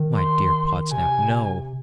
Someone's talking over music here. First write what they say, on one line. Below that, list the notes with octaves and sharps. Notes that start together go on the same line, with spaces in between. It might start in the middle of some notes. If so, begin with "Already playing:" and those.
'My dear Podsnap, no.
Already playing: D#3
C6
C3 G#5